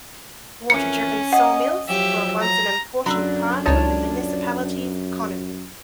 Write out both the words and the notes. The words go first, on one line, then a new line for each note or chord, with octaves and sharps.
Water-driven sawmills were once an important part of the municipality's economy.
F2 E3 C#4 A#4 C#7
D#5 F#5
F3 F#3 G4 E5
A#5
F#2 D3 F3 F#3 D4 B5 C6 E6
C#2 D#4 F4 C#5 A5